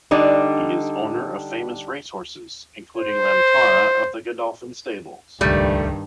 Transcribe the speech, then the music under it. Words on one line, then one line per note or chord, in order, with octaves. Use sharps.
He is owner of famous racehorses including Lammtara of the Godolphin Stables.
D3 G3 D4 D#4
C5
D#1 C#2 G2 D#3 G3 A3